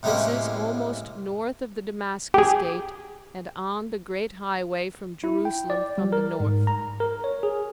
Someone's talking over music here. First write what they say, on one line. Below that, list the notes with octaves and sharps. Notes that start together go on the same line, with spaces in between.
This is almost north of the Damascus gate and on the great highway from Jerusalem from the north.
A2 C3 G#3 A#3 C#4
G4 G#4
E4
G5
D5
G3
A#4
G#2
A#5
A#4
C#5
G#4